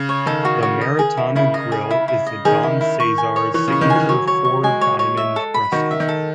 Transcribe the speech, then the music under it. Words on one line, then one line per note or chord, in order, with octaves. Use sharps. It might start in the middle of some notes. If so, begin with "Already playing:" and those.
The Maritana Grille is the Don CeSar's signature Four Diamond restaurant.
Already playing: C#3
C#5
D#3 A4
F#4
F#4
D#5
G#4
E4
C#3 E4
D#5
G#4
E4
E4
D#5
D#3 G#4
E4
E4
C#6
G#5
C#5
E3 C#5
C#3 C#6
D#3
G#5
E3
F#3 C#5
C#5
C#6
G#3 G#5
C#5
C#5
E5
A4
B5
D#3 F#4
E5
D#3
A4